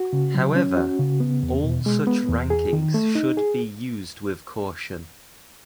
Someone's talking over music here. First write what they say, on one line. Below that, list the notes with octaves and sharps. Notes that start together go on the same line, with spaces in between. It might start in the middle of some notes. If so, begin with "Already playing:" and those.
However, all such rankings should be used with caution.
Already playing: F#4
C#3
F#3
C#4
F#4
C#3
B3
E2
B2
G#3
B3
E2
G#4
D#3
A3
D#4
G#4